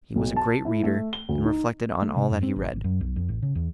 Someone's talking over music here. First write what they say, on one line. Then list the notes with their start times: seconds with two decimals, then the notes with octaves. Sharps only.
He was a great reader, and reflected on all that he read.
0.16 B1
0.36 A5
0.65 E4
0.84 A3
1.13 G7
1.29 D2
1.45 D#4
2.02 A3
2.16 C3
2.31 F#2
2.43 C4
2.56 G#1
2.72 G#1
2.84 F#2
3.01 B1
3.16 F2
3.29 A1
3.42 C#3
3.55 E2